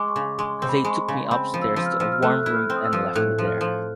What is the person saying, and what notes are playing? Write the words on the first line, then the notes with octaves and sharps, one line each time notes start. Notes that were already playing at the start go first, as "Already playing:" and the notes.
They took me upstairs to a warm room and left me there.
Already playing: G#3 D6
C#6
C#3
G#3 C6
C4
B5
G#3
C#6
C6
C#3
C6
C4 B5
F3
E6
F3
F6
E6
F3
F6
A3 F#6
E4 F#6
F6
C4
D#6
E6
F3
A2 F#6
F3
F6
F3